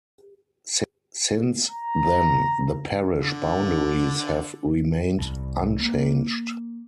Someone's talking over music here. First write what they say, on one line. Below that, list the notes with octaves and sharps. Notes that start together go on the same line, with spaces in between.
Since then the parish boundaries have remained unchanged.
A#5
D3
C2
A#3